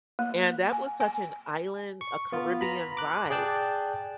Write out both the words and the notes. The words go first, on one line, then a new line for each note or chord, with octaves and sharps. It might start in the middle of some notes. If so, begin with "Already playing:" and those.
and that was such an island, a Caribbean vibe,
A#3
G#5
G#5
C#6
B3 F4
A#5 B5
D6 F#6
G#4 D5 G5 A5 F#6